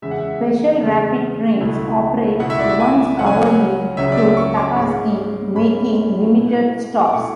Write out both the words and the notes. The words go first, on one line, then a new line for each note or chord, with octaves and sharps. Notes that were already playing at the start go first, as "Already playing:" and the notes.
Special rapid trains operate once hourly to Takasaki, making limited stops.
E2 C#3 G#3 E5
F#5
E5
E2 C#3 G#3
C#2 B2 A3 E4
C#2 B2 A3 E4 F#5
E5
D5
E5
G#5
C#2 C#3 F#3 C#4 F#5
G#5
F#5
C#2 C#3 F#3 C#4 E5
D5
E5
C#6
D6
G#2 G#3 C#4 C#6
G#2 G#3 C#4 B5
B2 A3 E4
D6
B2 A3 E4 C#6